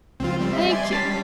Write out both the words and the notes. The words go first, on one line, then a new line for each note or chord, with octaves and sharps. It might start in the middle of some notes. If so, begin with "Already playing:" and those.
'Thank you.
C#2 F3 C4 F4
G3 C4
D#5 E5
D5 G#5 C6
G3 C#4 A5 A6 B6 C7